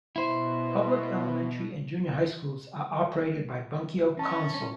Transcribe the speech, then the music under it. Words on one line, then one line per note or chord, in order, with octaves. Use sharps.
Public elementary and junior high schools are operated by Bunkyo council.
B2 E4 C5
C#4 A5